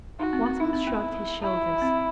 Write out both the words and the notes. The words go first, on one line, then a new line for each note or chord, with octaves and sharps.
Wattles shrugged his shoulders.
D#4 F#4
C4
C4
D#4 E4
C4
B3
E4
C4